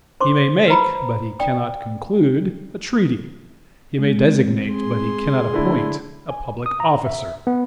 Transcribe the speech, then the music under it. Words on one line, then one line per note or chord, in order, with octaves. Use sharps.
He may make, but he cannot conclude, a treaty; he may designate, but he cannot appoint, a public officer.
C5 C6 D6
B4 C5 A#5 B5
D5 G5 D#6
G#3 C4
G#4 C6
D3 A3 E4
G#5
D#6
A#5
E5
B3